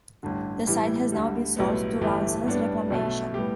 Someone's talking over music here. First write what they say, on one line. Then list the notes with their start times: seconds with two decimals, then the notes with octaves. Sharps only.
The site has now been sold to Ronsons Reclamation.
0.23 A1 G2 D3
0.67 A2 E3 G3 E4 G4
1.12 D2 D3 G3
1.56 B1 A2 G3 B3
2.01 G1 G2 E3 A3 G4
2.46 A1 G2 G3 B3 D4
2.90 B1 B2 A3
3.34 A2 G3 B3 G4